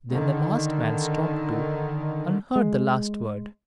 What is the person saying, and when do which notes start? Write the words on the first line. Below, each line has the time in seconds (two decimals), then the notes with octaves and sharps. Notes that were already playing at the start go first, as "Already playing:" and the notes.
Then the last man stopped too, and heard the last word.
0.13 D3 D#3
2.56 G#3